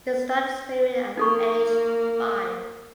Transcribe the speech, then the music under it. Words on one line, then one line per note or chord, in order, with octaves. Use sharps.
He started swimming at age five.
A#3 D#4 A4 C#6